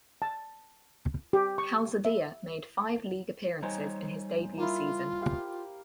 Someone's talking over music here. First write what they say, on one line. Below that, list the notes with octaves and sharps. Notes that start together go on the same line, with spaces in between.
Calzadilla made five league appearances in his debut season.
A5
G4
C#6
E5
G3 D#4 C5 C#5 G#5
A#3 E4 F4
G4 F5 G5